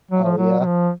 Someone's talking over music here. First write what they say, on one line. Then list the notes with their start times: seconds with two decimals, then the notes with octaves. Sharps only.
Oh, yeah?
0.11 F#3
0.24 F3
0.38 F#3
0.60 F#3
0.66 F3